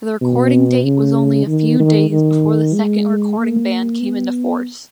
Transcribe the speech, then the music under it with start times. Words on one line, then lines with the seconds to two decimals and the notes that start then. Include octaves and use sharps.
The recording date was only a few days before the second recording ban came into force.
0.21 B2
0.85 C#3
1.47 D#3
1.80 D#3
2.11 D#3
2.74 G#3
3.37 A#3
4.00 B3